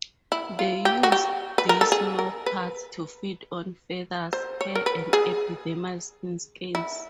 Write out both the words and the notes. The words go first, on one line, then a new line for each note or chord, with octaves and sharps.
They use these mouthparts to feed on feathers, hair, and epidermal skin scales.
E4
F4
G4
F#4
G4
B4
A#4
A4
G#4
A#4
B4
C5
C#5
A#4
B4
G#4
E4